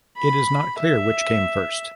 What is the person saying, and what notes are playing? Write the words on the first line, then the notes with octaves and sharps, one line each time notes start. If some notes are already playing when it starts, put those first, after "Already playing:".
It is not clear which came first.
B5
E5